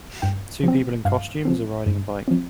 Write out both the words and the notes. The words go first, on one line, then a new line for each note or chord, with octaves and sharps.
Two people in costumes are riding a bike.
G2 G5
F3 C4
G2 F5
F3 C4
G2
F3 C4